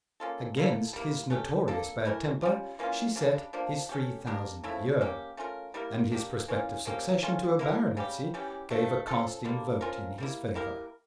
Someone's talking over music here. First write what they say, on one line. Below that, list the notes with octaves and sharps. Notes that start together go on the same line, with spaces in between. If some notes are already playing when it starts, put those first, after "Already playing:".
Against his notorious bad temper she set his three thousand a year, and his prospective succession to a baronetcy gave a casting vote in his favour.
A#3 C#4 F4 A4
A#3 E4 A4
G3 A#3 E4
A3 C#4 G4
A#3 D4 A4
E3 A3 E4 A#4
G3 C#4 F4
E3 A#3 C#4 F4
C#3 G3 D4
F3 A#3 D4
A3 C#4 G4
A#3 D4 G4 A#4
C#3 F3 A3 E4
A#3 C#4 G4
A3 C#4 F4 A#4
G3 A#3 E4 A#4
A#3 D4 G4
E3 A#3 C#4 F4
F3 A#3 C#4 G4
E3 A3 C#4 F4
A#3 E4 G4 A#4
C#3 G3 C#4 G4
E3 G3 C#4 G4
F3 A3 D4
F3 C#4 F4 A4
D3 G3 A#3 D4
F3 C#4 F4 A#4
G3 A#3 E4
A#3 E4 G4 A#4